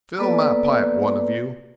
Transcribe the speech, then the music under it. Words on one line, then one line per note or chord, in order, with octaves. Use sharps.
'Fill my pipe, one of you.
A#3 B3 A4 B4 D5